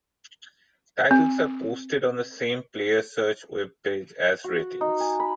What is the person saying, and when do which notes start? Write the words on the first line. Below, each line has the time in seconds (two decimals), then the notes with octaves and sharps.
Titles are posted on the same Player Search web page as ratings.
1.11 C4
4.44 F#4
4.81 D#4
5.00 G#5
5.20 B5